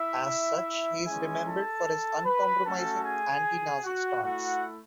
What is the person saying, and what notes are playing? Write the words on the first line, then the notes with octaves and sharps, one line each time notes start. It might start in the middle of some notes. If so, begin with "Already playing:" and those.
As such he is remembered for his uncompromising anti-Nazi stance.
Already playing: E4 E5
G#3 C#4 E4 G#4 G#5
A4 A5
B4 B5
A3 C#4 F#4 A4 A5
G#4 G#5
F#4 F#5
A3 E4 F#4 F#5